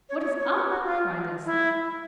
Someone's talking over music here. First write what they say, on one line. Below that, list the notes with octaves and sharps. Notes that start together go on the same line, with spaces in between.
"What is up!" cried Leslie.
C#5
C#5
C#5
G4
F#4
F4
E4